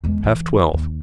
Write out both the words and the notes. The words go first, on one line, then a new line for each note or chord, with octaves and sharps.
Half twelve.
E2 G#3
E3
D#2